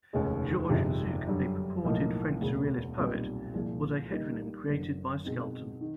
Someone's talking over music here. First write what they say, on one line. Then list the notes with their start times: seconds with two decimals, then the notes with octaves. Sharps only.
Georges Zuk, a purported French surrealist poet, was a heteronym created by Skelton.
0.13 F1 D#2 D#3 G#3 C#4
0.70 G1 F2 C3 D#3 G#3
1.27 F#2 D3 G3
1.84 B1 A2 F3 A#3 D#4
2.40 E1 D2 C#3
2.97 B1 A#2 G3 C4 D#4
3.54 C2 A#2 F3 G#3
4.11 D#3 G3 A#3 D#4
4.68 F#1 F#2 D3
5.24 B2 G#3 C4 D#4
5.81 D#3